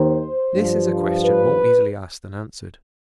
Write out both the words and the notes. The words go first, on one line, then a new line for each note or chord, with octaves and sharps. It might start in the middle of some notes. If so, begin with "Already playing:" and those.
This is a question more easily asked than answered.
Already playing: D#2 D#3 C5
G2 F3
B4